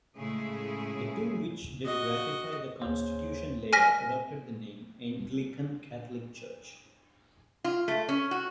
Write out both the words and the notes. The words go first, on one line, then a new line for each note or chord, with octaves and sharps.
The two which did ratify the constitution later adopted the name Anglican Catholic Church.
A2 C#3 G#3 A3 E4 G#4
F#4 D#5
D#2 C#3 A#3 C5
G#5 F6 A#6 B6
F4
A3
C#4
F#4